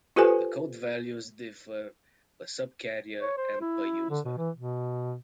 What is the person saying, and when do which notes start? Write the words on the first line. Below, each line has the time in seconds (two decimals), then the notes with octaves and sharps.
The code values differ per subcarrier and per user.
0.16 F4 G4 A4 B4 C5 G#5
3.20 C#5
3.37 C5
3.61 E4
4.10 D3
4.25 B2
4.37 E3
4.55 B2